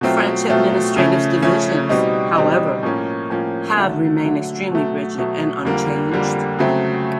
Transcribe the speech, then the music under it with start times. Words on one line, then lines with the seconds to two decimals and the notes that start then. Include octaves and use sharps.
French administrative divisions, however, have remained extremely rigid and unchanged.
0.01 B2 F#3 A3 C4 F4
0.49 B2 F#3 A3 C4 F4
0.96 C#3 F3 A3 C#4
1.42 C#3 F3 A3 C#4
1.89 B2 G3 C4 D#4
2.36 B2 G3 C4 D#4
2.83 A2 F3 A#3 C#4
3.30 A2 F3 A#3 C#4
3.77 D3 F#3 A3
4.24 D3 F#3 A3
4.70 B2 F#3 A3
5.18 B2 F#3 A3
5.65 F2 D3 G3 A#3
6.12 F2 D3 G3 A#3
6.59 C#3 F#3 A3 C4